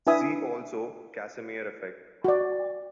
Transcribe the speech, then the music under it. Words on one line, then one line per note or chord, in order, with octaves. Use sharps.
See also Casimir effect.
D4 E4 B4 E5 G#5 D#6
F#4 D5